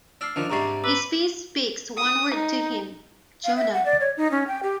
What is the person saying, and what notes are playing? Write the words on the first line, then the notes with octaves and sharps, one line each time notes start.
This face speaks one word to him: "Jonah".
D4 E6 F6 C7
D#3 F3 D4
G#2 C3 G3 A#5 C#6 C7
B4 D6 E6
D#6
D#4
F5
E5
F#5
D5
C#5
D#4
C#4
G5
G4